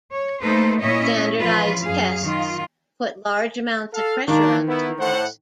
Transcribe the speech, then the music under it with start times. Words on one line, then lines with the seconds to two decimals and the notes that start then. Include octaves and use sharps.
Standardized tests put large amounts of pressure on students.
0.12 C#5
0.42 A3 A#3 D#4 A4 B4 C5
0.81 A#2 C#4 E4 C#5 D#5 E5
1.38 E3 F3 C#4 F4 B4
1.83 F#2 G#4 F5
2.23 D#3 F4
3.93 A4 F5
4.28 D#3 A#3 D4
4.68 B3 E4
5.00 A2 C5 F#5